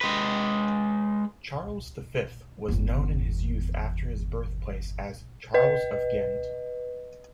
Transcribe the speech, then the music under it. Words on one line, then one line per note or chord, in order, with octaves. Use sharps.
Charles V was known in his youth after his birthplace as "Charles of Ghent".
G#3 B4
G1 E2
B4 D#5